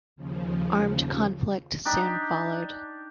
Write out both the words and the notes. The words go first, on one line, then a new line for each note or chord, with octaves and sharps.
Armed conflict soon followed.
D#2 C#3 F3
D4 D#4 G4